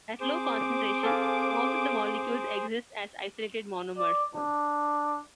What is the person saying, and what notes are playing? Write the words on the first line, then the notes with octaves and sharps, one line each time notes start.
At low concentration, most of the molecules exist as isolated monomers.
C4 G#4 C5 D6
A4 F5 G#5
D5
D4